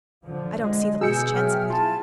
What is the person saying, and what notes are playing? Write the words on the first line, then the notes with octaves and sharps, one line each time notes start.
I don't see the least chance of it.
D3 F3
G#3 D#5
B2 G#4 E6 G6 C#7
F#3 E5 G5 F6
E4 F4 A5